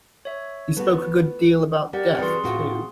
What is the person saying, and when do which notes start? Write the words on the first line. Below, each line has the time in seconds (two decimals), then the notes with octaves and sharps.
He spoke a good deal about death, too.
0.25 C#5 E5
0.77 A3 B3 F#4 B4
1.93 G4 A#4 D5 F#5
2.18 E3 C4 F#4 G#4 C6
2.44 A2 F4 F#4